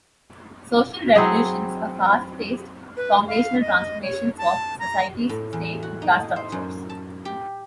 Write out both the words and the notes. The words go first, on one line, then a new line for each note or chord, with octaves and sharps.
Social Revolutions are fast-paced foundational transformations of society's state and class structures.
F#3 C4 E4 G#4
B4
F5
D#5
C#5
A5
A#5
A2
E2
F#4
D#4
C5
F#2
A5
G4